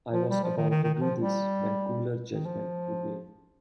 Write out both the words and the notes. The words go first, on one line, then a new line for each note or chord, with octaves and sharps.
I was about to do this when cooler judgment prevailed.
F3
G3
F3
D#3
D#3
D#3
D#3
F3
G3
D#3
F3